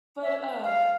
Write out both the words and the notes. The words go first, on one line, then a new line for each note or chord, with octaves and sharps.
But, uh,
E5
F5